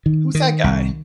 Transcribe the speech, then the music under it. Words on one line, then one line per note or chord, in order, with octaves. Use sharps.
"Who's that guy?"
D#3
D#3
C2